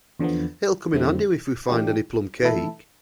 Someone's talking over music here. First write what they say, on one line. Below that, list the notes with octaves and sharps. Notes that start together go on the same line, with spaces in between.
It’ll come in handy if we find any plum-cake.
E2 D3 F3 B3
F2 D3 A3 C4 E4
E3 A3 D4 G4
E3 A3 E4 A4